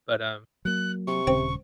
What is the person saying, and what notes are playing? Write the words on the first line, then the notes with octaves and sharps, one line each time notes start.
But, um,
F#3 A#3 F#6
C3 C#6
D#1 C#3 C4